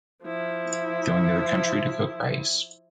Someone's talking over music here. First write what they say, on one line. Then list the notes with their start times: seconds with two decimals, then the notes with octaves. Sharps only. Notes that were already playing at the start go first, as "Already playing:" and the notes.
Going to the country to cook rice.
0.24 F3 E4